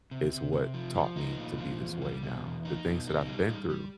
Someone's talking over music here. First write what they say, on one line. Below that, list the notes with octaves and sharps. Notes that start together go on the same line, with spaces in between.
is what taught me to be this way now, the things that I've been through,
C3
C3
C3
F3
F3
D#4
A#2
F3
E2
G3
B2
E2
D#4
B2
D#4
G3
G3
G3